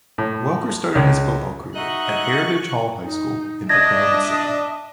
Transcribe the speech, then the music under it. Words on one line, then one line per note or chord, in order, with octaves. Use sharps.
Welker started his football career at Heritage Hall High School in Oklahoma City.
A2
C#2
D#4 F#4 D#5 E5 C#6 F#6
D#4
D4 D#5 E5 G#6 A#6